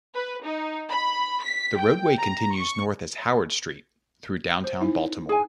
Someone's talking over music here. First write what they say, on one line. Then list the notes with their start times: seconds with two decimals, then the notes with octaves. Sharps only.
The roadway continues north as Howard Street through downtown Baltimore.
0.15 B4
0.44 D#4
0.90 B5
1.43 B6
1.79 G5
2.18 A#5
2.53 C#6
4.64 C5
4.81 C4 D#4 E4
5.29 G#4 G#5